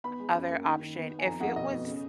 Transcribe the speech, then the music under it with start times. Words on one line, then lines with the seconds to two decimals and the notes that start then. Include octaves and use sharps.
other option, if it was
0.04 B3 B5
0.20 G#3
0.34 F#2
0.50 A#3
0.65 D#3
0.80 D#3
0.95 B3
1.10 B3
1.19 G#5
1.25 F2 A#5
1.40 F2 F#5
1.56 B2 D#5
1.72 B2
1.86 C#3